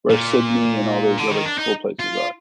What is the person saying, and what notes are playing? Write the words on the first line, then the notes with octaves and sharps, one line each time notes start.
where Sydney and all those other cool places are.
A#2
D3
D#3
D4
D#4
F4